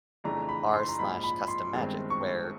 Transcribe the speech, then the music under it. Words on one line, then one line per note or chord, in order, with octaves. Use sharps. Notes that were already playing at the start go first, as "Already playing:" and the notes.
r/custommagic, where,
F2 C#3 E3 A3 D4 A#5
B5
C6
A#5
A#1 G#2 F3 B5
B5
C6
G1 G2 D#3 G#3 C4
C#6